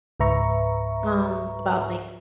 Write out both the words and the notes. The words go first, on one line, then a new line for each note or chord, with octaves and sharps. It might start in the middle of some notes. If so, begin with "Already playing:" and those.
um, about, like,
C#2 G#2 B4 E5 A#5 C#6